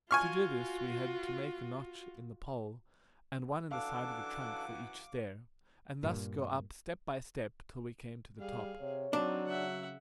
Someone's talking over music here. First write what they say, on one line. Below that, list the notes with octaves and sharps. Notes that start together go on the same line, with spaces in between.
To do this we had to make a notch in the pole and one in the side of the trunk for each stair, and thus go up step by step till we came to the top.
F4 F#4 G#5 C#6 F6
F#2 E3 D4 A4 F5 F#5 D6
G2 A#2
G3 G#4 F5
C3 C#5
F#3 C4 D4 D#4
C#3 E5 F#5